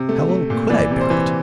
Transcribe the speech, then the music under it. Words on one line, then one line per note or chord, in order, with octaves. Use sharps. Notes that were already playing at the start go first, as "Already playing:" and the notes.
How long could I bear it?
Already playing: C3
A3
A3
A#2
E3 D5
C3
C5
E3